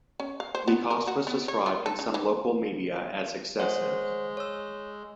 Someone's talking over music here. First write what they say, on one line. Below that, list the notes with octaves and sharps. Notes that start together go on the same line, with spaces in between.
The cost was described in some local media as excessive.
C#4
F5
C5
B3
A#4
F#4
B3
C#5
F4
A4
C#3
E3
G#3 C5 C#5 F#5
C#5 E6